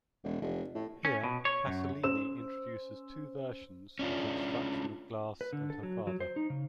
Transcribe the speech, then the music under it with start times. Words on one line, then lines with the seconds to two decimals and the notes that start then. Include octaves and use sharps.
Here Pasolini introduces two versions of the destruction of Glauce and her father.
0.24 E1
0.41 F1
0.75 A2
1.05 C#4
1.24 B2
1.45 C#5
1.66 F#2
2.04 C#4 C5 E6 E7
3.99 C#4 D4 F4
5.41 B4
5.53 D3
5.70 A4
5.83 F#3
6.07 F#3
6.20 C5
6.36 D#4
6.50 C#3